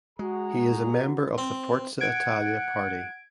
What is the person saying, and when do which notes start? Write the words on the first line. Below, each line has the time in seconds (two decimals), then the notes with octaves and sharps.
He is member of the Forza Italia party.
0.19 G#3 F#4 G#4 A#5
1.38 C4
2.00 F#5 G#6 D7